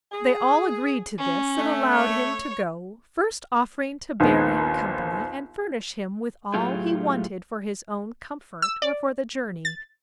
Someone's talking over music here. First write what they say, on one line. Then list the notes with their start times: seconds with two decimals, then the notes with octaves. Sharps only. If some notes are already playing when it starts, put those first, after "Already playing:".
They all agreed to this, and allowed him to go, first offering to bear him company and furnish him with all he wanted for his own comfort or for the journey.
0.12 G#4
1.18 C#4
1.59 A3
1.92 C#5
4.20 A#1 D#2 D#3 B3 C4
6.54 A2 F#3 A3 F4 G4 G#4
8.62 E6
8.82 D5
9.65 A6